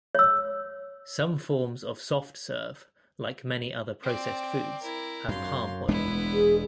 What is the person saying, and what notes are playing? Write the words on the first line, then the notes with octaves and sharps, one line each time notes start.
Some forms of soft serve, like many other processed foods, have palm oil.
C#5 E6
C4 D5
E4 A#4
F#2 F5 C6
E1 G#3 B3 D4 E4
G#4